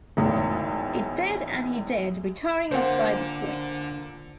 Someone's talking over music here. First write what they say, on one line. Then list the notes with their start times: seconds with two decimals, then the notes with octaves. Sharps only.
It did and he did, retiring outside the points.
0.17 G#1 E2 A2
2.71 A#2 D3 A#3 C5 F#5